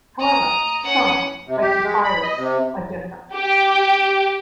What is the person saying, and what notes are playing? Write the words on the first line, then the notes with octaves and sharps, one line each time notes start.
However, some - like Zefiris - are different.
D#5 A#5
C#4 F#5
C3
G4
G#3
B5
D#5
C3
G4